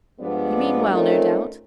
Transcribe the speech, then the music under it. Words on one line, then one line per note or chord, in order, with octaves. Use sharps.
'You mean well, no doubt.
G2 F3 G#3 B3 D5
A3 C4 C#4 D#4 F4 A#4